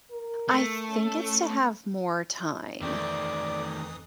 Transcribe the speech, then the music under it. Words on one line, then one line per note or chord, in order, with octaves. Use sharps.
I think it's to have more time.
A#4
A3
C#4
F2 D#3 E3 A3 C4 D5 D#6